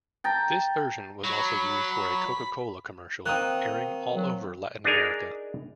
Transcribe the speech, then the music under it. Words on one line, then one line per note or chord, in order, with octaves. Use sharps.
This version was also used for a Coca-Cola commercial, airing all over Latin America.
G5 A5 A#5
F#3 B5
D#3 A#3 C4 D#6 F#6
F#3
D4 D#4 G#4 A#4